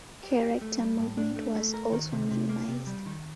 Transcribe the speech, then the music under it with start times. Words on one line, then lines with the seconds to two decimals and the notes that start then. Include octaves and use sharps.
Character movement was also minimized.
0.23 G4
0.42 G4
0.61 A3
0.79 G3
0.99 A2
1.17 D4
1.36 A3
1.55 A3
1.74 A#4
1.92 D#3
2.12 C3
2.31 C3
2.49 A#3
2.68 C3
2.87 G3
3.06 D#3